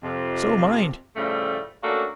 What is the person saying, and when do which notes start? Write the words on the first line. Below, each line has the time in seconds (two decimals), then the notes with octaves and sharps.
So mind.
0.03 F2 C3
1.16 A2 C#3 F3 G3 A3
1.83 A3 A#3 C#4 D4 F#4 A4